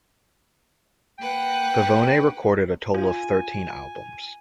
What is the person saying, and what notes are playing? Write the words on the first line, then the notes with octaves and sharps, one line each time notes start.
Pavone recorded a total of thirteen albums.
A#3 B4 F#5 G5
F4 G#5